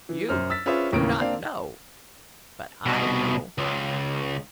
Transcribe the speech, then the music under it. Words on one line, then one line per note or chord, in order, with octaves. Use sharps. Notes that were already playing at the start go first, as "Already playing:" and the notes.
You do not know; but I know.
E3
F#2 C5 F6
E6 A6 B6
C#4 F4 G#4 B4 C5 E5
D#2 A2 C#3 E3 A#3 D7
A#3 C4 D4 F5
C2 B2
C#2